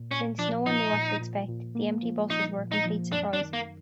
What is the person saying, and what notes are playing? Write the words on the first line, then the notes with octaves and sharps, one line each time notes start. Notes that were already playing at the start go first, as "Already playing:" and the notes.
Since no one knew what to expect, the empty buses were a complete surprise.
Already playing: A#2
A#2 C#4
F3 D4
F3 D#4
A#2
A#2
A#2
A#3
F3
F3 D#4
A#2
D#4
F3
F#2 D4
D4
D#3
A#3